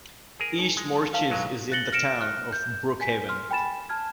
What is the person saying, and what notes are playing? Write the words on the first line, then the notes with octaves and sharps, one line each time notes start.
East Moriches is in the town of Brookhaven.
G#4 A#4
D#4
G#3
B4 F5 A5
B1 F#3 G#3
F#6 A6 A#6 C#7 F#7 G7
F6 A#6 C#7 D7 E7
F6 F#6
G6
G#5 B6
C6 F6
G5 G#5 B5 A6 E7
A5 F6 G#6